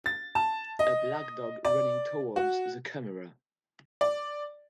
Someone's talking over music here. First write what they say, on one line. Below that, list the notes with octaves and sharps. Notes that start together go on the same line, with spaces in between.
A black dog running towards the camera.
A6
A5
D#5
D5
F#4
D5